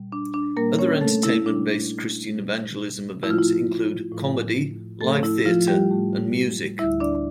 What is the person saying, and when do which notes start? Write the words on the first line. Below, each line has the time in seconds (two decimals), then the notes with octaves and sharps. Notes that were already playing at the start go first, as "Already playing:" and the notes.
Other entertainment-based Christian evangelism events include comedy, live theater and music.
Already playing: A#2 G3
0.12 D4
0.34 D4
0.57 A#2 G3 A#3 A#4
0.79 C#4 C#5
1.01 A3 A4
1.23 E4
1.45 A#2 G3 D4
2.35 A#2 G3
3.23 A2 F3 A3 E4
3.30 F4
3.38 E4
4.12 A2 F3 A3
5.01 A2 F3 A3 A4
5.23 E4
5.45 F3 F4
5.67 G3 G4
5.90 A2 F3 A3
6.79 D2 D3 G3 E4 E5
7.00 D4 D5